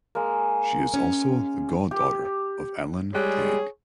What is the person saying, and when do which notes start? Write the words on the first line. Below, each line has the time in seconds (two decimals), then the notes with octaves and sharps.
She is also the god-daughter of Alan Tang.
0.15 G#3 A#3
0.94 C#4
1.91 G4
3.15 G3 G#3 G#4 C#5 G5 F#6